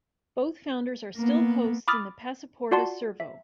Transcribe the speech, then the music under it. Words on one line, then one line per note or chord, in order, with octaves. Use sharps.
Both founders are still hosts in the Pasporta Servo.
A#3 B3
B5 D6 D#6 F6 A6
F4 F#4 D5 F#5 A5 C6
E5